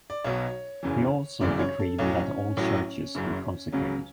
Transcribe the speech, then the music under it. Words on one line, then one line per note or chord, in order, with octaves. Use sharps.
He also decreed that all churches be consecrated.
D5
B1 B2 F#3 C#5
F#1 E2 C#3 E3
G#1 F#2 C#3 E3 D5
C#5
A4
B1 A2 F#3 C#4
A1 A2 F#3
F#1 F#2 C#3
C#2 C#3 F#3